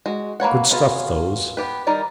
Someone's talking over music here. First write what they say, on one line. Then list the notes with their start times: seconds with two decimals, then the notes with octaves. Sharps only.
"Good stuff, those."
0.06 G#3 F#4
0.40 A#3 B4 C#5 F#5
0.71 B3 F4 F#4 G#4
1.57 B3 G4 B4
1.87 D#3 G3 D#4 A#4 D5